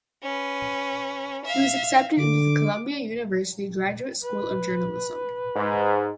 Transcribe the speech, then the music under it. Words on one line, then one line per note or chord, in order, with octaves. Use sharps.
He was accepted into the Columbia University Graduate School of Journalism.
C#4 B4
E5 F5
D3 D6
B4
G#2